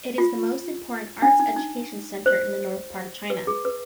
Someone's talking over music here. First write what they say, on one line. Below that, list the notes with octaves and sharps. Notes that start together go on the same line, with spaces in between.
It is the most important arts education center in the north part of China.
F4
D4
D#4
D#4
C5
B4
G#4
B4